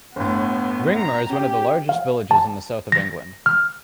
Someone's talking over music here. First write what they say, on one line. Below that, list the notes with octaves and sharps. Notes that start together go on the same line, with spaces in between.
Ringmer is one of the largest villages in the south of England.
G1 A2 B3
A#5
C#4 G4
F5
A5
A#6
F6